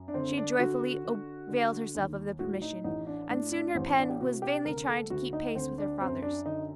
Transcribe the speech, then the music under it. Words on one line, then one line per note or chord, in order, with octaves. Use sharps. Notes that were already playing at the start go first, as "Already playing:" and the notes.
She joyfully availed herself of the permission, and soon her pen was vainly trying to keep pace with her father's.
Already playing: F#2
D4
D3 C4
D4
D3 F#4
D3
D3
D#2
A2 F#4
D#4
A1 D#4
D4
A2 D4
D4
A1 C4
D4
G4
C3 F#4
G4
D2 A#4
A4
D2 F#4
D#4
D2 C4
D4
F#2 C4
D4
D3 D#4